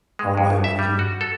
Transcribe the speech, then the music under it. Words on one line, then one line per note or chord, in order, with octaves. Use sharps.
Oh, I imagine.
G#3
F2
A#1
E5
G3
F#4
A4